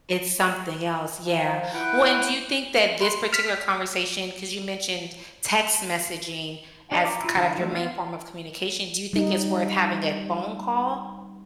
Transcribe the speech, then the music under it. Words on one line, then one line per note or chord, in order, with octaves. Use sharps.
It's something else, yeah, well and do you think that this particular conversation 'cause you mentioned text messaging as kind of your main form of communication, do you think it's worth having a phone call
F3
E4 B4 F#5 G5
B5 C6 F#6
F6 A6 B6 C#7 E7
D4 G4 C#5 D#5 A5
A#5 D6
E4 F4
D3 E3 E4
F3 F#3 A3 D4
B3 F4 C5 F5
G3 D#4